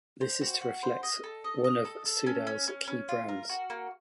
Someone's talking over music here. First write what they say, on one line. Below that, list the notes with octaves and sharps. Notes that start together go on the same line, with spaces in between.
This is to reflect one of Soudal's key brands.
C5
F#4
F#4
C5
D#5
A4
D#5
D#5
A4
A4
C#4
C#4
C#4
C#4
F4
A#4
F#4
A#3